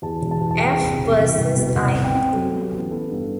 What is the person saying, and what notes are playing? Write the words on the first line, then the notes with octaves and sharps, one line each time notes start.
F. versus I.
E2 A5
E1
A5
E2
A5
E2 G5
C3
E1
C2
C2
B2
C2 F#5
C4
G5
C4
F#3 A4
B3
G4
A1
B3 A4
G2